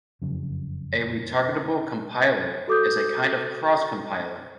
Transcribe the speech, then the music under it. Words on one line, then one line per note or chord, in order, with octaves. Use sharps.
A retargetable compiler is a kind of cross compiler.
F#1 F2 C#3 F#3
F#4 A4 D6 D#6 G6